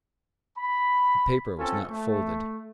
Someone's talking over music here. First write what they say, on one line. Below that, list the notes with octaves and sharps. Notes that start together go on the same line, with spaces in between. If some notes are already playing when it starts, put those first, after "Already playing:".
The paper was not folded.
B5
C4 C#4 F4 A4
A3